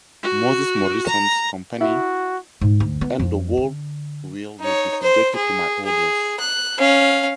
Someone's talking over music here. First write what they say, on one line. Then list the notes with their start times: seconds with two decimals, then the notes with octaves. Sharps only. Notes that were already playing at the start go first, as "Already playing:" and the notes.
Moses Morrison’s Company and the whole will be subject to my orders.
0.23 F#4
1.07 A#5
1.81 E4 F#4
2.61 G#2
2.80 D2
3.01 B3
3.19 F2
3.57 D3
4.60 D#4 C#5
5.02 C5
5.35 G#4
5.85 G#4
6.40 F#6
6.78 C#4 F5